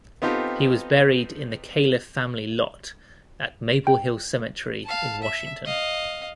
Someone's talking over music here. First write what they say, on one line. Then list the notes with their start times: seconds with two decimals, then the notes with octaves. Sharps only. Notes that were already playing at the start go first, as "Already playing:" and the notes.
He was buried in the Calef family lot at Maple Hill Cemetery in Washington.
0.22 B3 C4 D#4 F4 G4 A4
3.87 G5
4.85 F5 A5
5.22 E5
5.65 D#5 F5